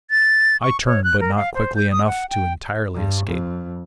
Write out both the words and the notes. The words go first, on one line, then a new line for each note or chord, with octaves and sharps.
I turned, but not quickly enough to entirely escape.
A6
C#6
C#5
F#6
A#4
F5
C5
G6
D#6
F#5
G5
G2
F2